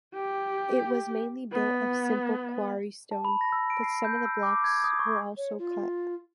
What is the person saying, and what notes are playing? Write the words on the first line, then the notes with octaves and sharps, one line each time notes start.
It was mainly built of simple quarry stone, but some of the blocks were also cut.
G4
B3
A5
B5
A#6
E6
D7
C7
G6
E6
D6
G#6
D#6
C#6
C#5
F4